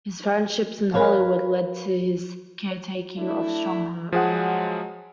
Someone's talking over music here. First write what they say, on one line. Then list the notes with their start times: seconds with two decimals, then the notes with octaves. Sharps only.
His friendships in Hollywood led to his care-taking of Strongheart.
0.94 A#4 B4 C#5 F5
3.18 A3 D4 E4
4.12 F3 F#3 G#3 G#4 F#5